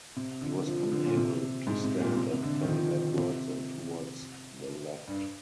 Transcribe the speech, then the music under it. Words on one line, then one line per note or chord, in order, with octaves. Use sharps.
He was unable to stand and fell backwards and towards the left.
C3
D3
F3
D3
A#2
C3
G#2
C3
A#2
C3
C3
D3
D#3
F3
C3
G2